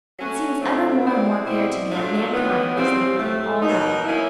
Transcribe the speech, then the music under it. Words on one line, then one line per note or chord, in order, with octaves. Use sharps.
It seems ever more and more clear to me that mankind is the root of all life.
F#3 A3 C#4 F#4
A2 F#3 A3 C4
G3 C4 E4
B2 G3 C4 E4
A2 F#3 A3 D4 F4
D#3 F#3 B3
C#3 E3 G3 C4 F4
A2 F3 A3
B2 F#3 A#3 D#4
F#3 A#3 C#4 E4